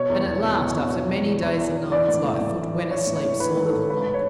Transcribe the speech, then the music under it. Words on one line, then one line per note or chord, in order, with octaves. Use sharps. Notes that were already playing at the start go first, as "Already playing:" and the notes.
And at last, after many days and nights, Lightfoot, when asleep, saw Little Mok.
Already playing: B2 C#5
E2
E2
B2
B2
B2
B2
B2
E2
E2
E2
E2
E3 D5
A2
A2
A2
E3
E3
E3 C#5
A2
C#5
A2
E3 B4
A2
A4
A2
G#2 B4
C#5